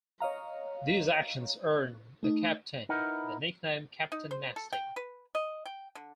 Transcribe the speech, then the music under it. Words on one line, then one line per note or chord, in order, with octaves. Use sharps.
These actions earned the captain the nickname "Captain Nasty".
C#5 D#5 F5 A#5
A3 D#4
D#4 E4 A#4 B4 D#5 F#5
D#4
C5
A4
G5
B4
D#5
G5
D3